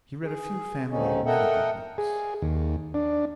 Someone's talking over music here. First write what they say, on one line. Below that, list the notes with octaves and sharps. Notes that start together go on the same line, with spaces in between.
He read a few family medical books.
G#4
D#2 G#2 D3 D#3 C#4 D#4
A4 A#4 D#5 E5 F#5 G5
G#4
D#2
D4